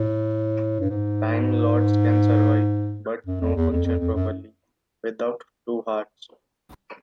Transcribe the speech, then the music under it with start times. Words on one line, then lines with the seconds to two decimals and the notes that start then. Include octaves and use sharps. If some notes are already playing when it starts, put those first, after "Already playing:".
Time Lords can survive, but not function properly, without two hearts.
Already playing: A2
0.81 G2
0.90 G#2
3.27 F#2
3.41 F2
3.56 E2
3.70 F2
3.86 F2
4.00 F2
4.15 F#2